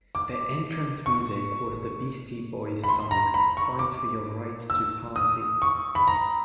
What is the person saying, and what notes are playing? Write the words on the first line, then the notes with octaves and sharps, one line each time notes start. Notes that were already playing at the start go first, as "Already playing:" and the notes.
Their entrance music was the Beastie Boys' song "Fight For Your Right to Party".
D6
C#6
B5
C6
A#5
B5
C#6
D6
E6
D#6
C#6
B5
A#5